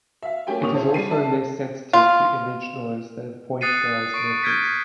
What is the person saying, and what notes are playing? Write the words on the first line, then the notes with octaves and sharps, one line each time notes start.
It is also less sensitive to image noise than point-wise methods.
E5 F5
A3 A#3 C#4 G4 G5 G#5
G1 A#2 C#4 C#6 D#6 F7
E4 G#4 A4 C5 C#5 A5
G3 C7 D#7
D5 E5 A5
F4
D#6 F#6 A6 C7 C#7 D#7
C#6 C7 D7
F6 G6 G#6 B6 D7